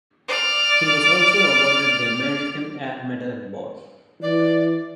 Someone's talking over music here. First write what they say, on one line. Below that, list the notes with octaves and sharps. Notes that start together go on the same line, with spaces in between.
He was also awarded the American Air Medal and Bar.
D5 F6
E3 D5